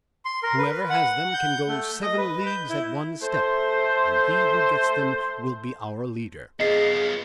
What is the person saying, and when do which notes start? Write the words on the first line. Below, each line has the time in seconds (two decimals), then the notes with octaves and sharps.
Whoever has them can go seven leagues at one step; and he who gets them will be our leader.
0.25 C6
0.43 A#4
0.58 B4
0.90 F#5
1.34 G6
1.68 A3
2.02 D#5
2.18 B4
2.46 G6
2.70 E4
3.22 A3 C5
6.60 B3 F4 G#4 D#5 C7